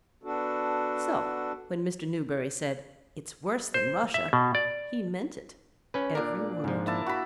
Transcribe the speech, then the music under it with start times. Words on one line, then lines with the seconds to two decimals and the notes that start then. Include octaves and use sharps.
So when Mr. Newberry said "It's worse than Russia!" he meant it, every word.
0.23 B3 D4 F#4 A4
3.74 C5
4.14 E5
4.33 B2
4.55 D5
5.94 C#4 B4
6.15 A#2 D4 A#4
6.64 G#2 F3
6.87 A#3 E4 A5
7.06 F#4 B5